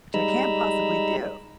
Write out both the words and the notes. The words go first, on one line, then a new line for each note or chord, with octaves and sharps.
Which I can't possibly do.
G3 G#3 D#4 A#5 B5 E6